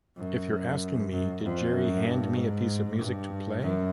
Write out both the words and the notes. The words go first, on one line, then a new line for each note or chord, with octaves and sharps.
If you're asking me: 'Did Gerry hand me a piece of music to play?
F#2
F#2
F2
F#2
G2
G#2
G2
F#2